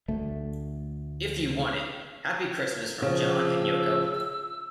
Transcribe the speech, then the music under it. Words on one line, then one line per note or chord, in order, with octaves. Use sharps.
If You Want It - Happy Christmas from John and Yoko.
D2 A3
C#3 F3
E6